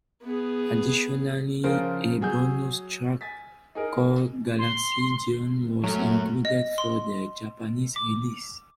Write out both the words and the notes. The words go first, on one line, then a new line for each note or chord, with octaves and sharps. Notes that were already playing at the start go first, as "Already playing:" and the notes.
Additionally, a bonus track called "Galaxidion" was included for the Japanese release.
B3 G#4
C#3 F3 C#4 F4 A#4 C5
F#3 G#4 E6 G6
G#5 A6 B6
D#4 G#4 A#4
C6
F#2 F#3 A3
D#5
C6
D6